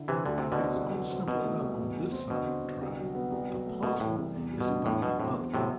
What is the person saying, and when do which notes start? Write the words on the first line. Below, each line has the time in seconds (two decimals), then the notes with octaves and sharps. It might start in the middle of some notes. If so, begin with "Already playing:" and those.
It is all simple enough on this side of the trap; the puzzle is about the other.
Already playing: D3 E4
0.08 C3 E3 G4
0.26 D2 D3
0.38 C3 A3
0.52 B2 D3
0.59 C4
0.76 C2
0.93 F#3
1.10 C4
1.27 C2 B2
1.44 A3
1.62 C2
1.79 E2
1.95 A3
2.12 C4
2.30 B2 D3
2.47 C4
2.64 D3
2.82 C2
2.99 F#3
3.15 B3
3.32 C2
3.49 F#3
3.67 A3
3.83 C2 B2
4.00 A2 E3
4.18 C2
4.34 E2
4.52 G3
4.60 B2
4.69 D4
4.86 E2 A2
5.02 B2 F#3
5.20 A2 C4
5.37 E2
5.53 A2 C3 F#3